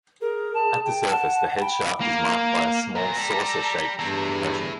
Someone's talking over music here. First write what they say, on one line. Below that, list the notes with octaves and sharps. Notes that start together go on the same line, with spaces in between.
At the surface the head shaft is marked by a small saucer-shaped depression.
G#4 A#4
A5
G5
F#5 A5
G5 B5
A#3
A#2 B3 A#5
G3 A4
E2 G2 E4 A4